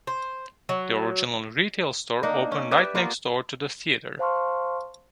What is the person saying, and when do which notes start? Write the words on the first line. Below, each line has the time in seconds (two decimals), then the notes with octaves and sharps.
The original retail store opened right next door to the theatre.
0.07 C5
0.69 F#3
2.23 A#3 D4 D#4 A#4
2.52 C#4
2.71 G4 B4 D5 E5
2.95 A#3 B3 F4 A#4
4.19 C5 F5 A5 C6 C#6 F6